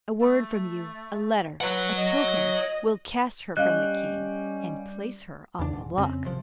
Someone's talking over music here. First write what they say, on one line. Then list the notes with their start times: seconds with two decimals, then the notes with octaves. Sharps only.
A word from you--a letter--a token--will cast her from the king, and place her on the block.
0.20 A3
1.61 B4 C#5 F#5
1.96 D#5
3.57 G3 C#4 D#5 F5 F#6
5.59 E2 C#3 D4
5.73 D#1 G#2
5.97 F2 C#3 C4 C#4
6.24 G#1 C3 F3